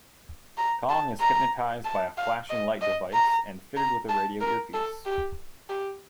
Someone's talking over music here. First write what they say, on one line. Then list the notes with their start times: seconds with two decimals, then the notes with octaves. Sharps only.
Kong is hypnotized by a flashing light device and fitted with a radio earpiece.
0.58 A#5
0.90 A5
1.21 A#5
1.85 A5
2.17 F5
2.49 D#5
2.81 D#5
3.13 A#5
3.77 A#5
4.09 A5
4.41 A#4
4.74 A4
5.06 G4
5.69 G4